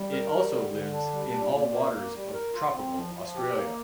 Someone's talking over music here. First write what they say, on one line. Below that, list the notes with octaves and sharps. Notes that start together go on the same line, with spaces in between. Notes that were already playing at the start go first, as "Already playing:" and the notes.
It also lives in all waters of tropical Australia.
Already playing: G3
A#4
G3
D3
D3
D4
G3
A#2
A#2
A#3
A#3
G3
A#4
F4
C4
F3
F3
G4
A#3